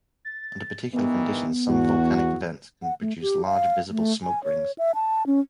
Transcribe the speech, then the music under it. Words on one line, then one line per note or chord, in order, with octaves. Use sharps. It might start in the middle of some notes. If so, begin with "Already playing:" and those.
Under particular conditions, some volcanic vents can produce large visible smoke rings.
A6
G2 D#3 E3 B3
E2 F#4
F#5
A3
G4
F5
A3
G#5
C#5
E5
A5
C#4